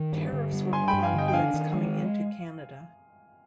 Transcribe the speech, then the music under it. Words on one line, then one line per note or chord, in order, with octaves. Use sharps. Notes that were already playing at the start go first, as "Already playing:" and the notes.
Tariffs were put on goods coming into Canada.
Already playing: D#3
G2
D3
G3
G2 G#5 C6
G5 B5
G2
F5 G#5
D3 D#5 G5
G5
D4 F5 G#5
D#3
G#3